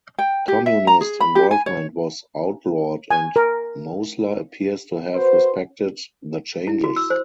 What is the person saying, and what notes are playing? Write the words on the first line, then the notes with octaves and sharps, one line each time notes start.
Communist involvement was outlawed and Mosler appears to have respected the changes.
G5
G4
E5
A#5
G#4
B5
G4
G#5
C#5
G#5
A#4
F#4 B4 C5
E4
F#4
E6
C5